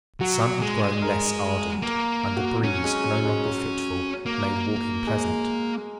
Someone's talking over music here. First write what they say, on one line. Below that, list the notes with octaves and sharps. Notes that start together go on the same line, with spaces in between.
The sun had grown less ardent, and a breeze, no longer fitful, made walking pleasant.
F#3 F#4
G#3 G#4
A#4
A#3 A#4
F#4
F#3 C#4
G#3
F#3
G#3
F#3
A#3
G#3